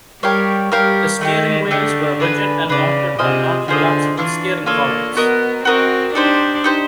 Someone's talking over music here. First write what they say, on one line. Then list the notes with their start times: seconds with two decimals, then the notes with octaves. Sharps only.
The steering wheels were rigid and mounted on non-collapsible steering columns.
0.22 G3 G4 A#4 C#5 F5
0.72 G3 G4 A#4 C#5 F5
1.21 D#3 A3 D4 G4
1.70 D3 A3 D4 G4
2.20 G#4 B4 D5
2.69 C#3 G#4 B4 D5
3.19 C3 F4 G#4 C5 D#5
3.68 D3 F4 G#4 C5 D#5
4.18 E3 D4 F4 A4 C#5
4.66 A#3 D4 F4 A4 C#5
5.16 B3 F#4 A#4 D#5
5.65 C4 F#4 A#4 D#5
6.15 D4 D#4 G4 C5
6.64 D#4 G4 C5